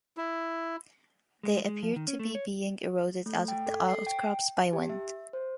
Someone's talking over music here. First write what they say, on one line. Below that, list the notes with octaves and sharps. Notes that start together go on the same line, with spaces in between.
They appeared to be being eroded out of the outcrops by wind.
E4
G#3
G#3
F3
D#3
C#4
A3
C#5
A3
G5
A4
C7
G5
A5
G4
E5
C5